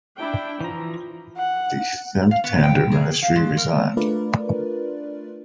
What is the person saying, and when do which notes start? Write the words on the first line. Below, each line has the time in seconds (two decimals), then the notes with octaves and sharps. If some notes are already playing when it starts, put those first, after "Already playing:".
The Themptander ministry resigned.
0.17 D4 E4 G5
0.61 E3 F3 A#5
1.37 F#5
2.31 F5
2.44 B3
2.63 G5
2.92 G#4
3.22 F5
3.36 G#3
3.57 A#4
3.97 A3 D4 F4 A#4 B4 D5